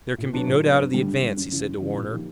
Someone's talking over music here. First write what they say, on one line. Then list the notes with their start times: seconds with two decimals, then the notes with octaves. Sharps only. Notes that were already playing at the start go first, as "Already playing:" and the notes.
"There can be no doubt of the advance!" he said to Warner.
0.18 A#2
0.33 F#3 B3 D4
0.48 A#2
0.63 F#3 B3 D4
0.78 G2
0.93 D3 G3
1.07 G2
1.22 D3 G3
1.37 F#2
1.52 C#3 E3
1.67 F#2
1.81 C#3 E3
1.96 A#2
2.10 F3 A#3 D#4 G4